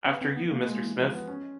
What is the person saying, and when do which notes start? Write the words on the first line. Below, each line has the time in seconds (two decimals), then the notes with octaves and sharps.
After you, Mr. Smith!
0.06 B3 C#4
0.21 C4
0.36 B3
0.52 A#3
0.67 G#3
0.82 E3
0.98 F3
1.13 B3
1.28 C#4